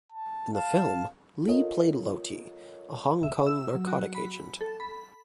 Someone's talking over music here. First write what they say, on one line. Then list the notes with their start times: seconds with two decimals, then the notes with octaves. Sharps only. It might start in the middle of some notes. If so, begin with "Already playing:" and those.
In the film, Lee played Loti, a Hong Kong narcotic agent.
0.12 A5
0.54 F5 A5
1.47 F4 A4 A#4 C#5 D#5
3.23 E5
3.47 E6
3.75 F#3
3.87 F#4
4.15 B5
4.61 A4
4.80 B5